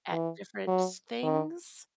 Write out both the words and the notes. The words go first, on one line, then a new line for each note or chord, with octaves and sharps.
at different s things
E3
F#3
D#3